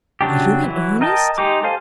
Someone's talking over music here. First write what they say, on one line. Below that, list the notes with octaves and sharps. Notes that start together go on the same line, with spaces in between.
"Are you in earnest?"
C#3 F#3 D4 G4
E3 F#3 E4
A#4 D#5 G5 A5
G#3 D#4 G4 D6
G4 A4 C5 F5 G#5